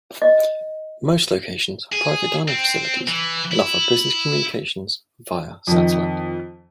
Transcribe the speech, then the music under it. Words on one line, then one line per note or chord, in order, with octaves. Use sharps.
Most locations have private dining facilities and offer business communications via satellite.
D#5
G#4
C4
E3
E4
F2 D#3